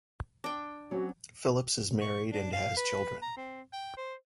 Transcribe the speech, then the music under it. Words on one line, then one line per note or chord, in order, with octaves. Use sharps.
Phillips is married and has children.
D4 G5
F#3 C4 C#4 F#4
C#6
D4
F5
B4
A#5
C4
G5
C5